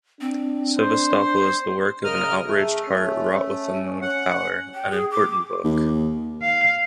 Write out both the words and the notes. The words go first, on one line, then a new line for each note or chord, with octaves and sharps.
"Sevastopol" is the work of an outraged heart wrought with emotive power--an important book.
C4 D4
C5
C#3 A#4 D#5 F6
A3 G#4
C#4
C#4 F#5
G5
G#4
D6
D#2
F5